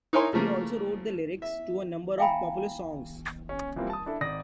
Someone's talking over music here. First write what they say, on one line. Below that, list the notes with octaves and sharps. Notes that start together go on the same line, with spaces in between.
He also wrote the lyrics to a number of popular songs.
D#4 E4 A#4 C#5 G#5 C6
C#3 F3 A3 A#3
E5
E5 F5 G5 G#5 A#5 B5
C#4
E3 F3 G3 A#3 C4
A5 D#6
D4 E4 A4
G#1 D5 D#6 A#6